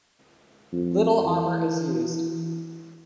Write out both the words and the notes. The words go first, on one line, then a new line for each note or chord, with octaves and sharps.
Little armor is used.
F2
E3